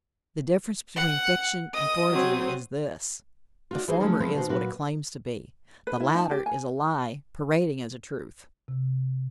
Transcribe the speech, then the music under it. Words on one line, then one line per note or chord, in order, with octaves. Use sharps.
The difference between fiction and forgery is this: the former is, what it claims to be; the latter is a lie parading as a truth.
F#5
D#5 D#6
F#3 C4
F4 F#4 D5
E3 D#4 F#4 G#4 C5
C#3 F3 F#3 A3 C#4 G#4
E3 F3 G#3 B3 C4
B2 D#3 F#4 C5
A#2 F#3 F#4 B4
B4
E4
D#4 A5
G4
G#5
C3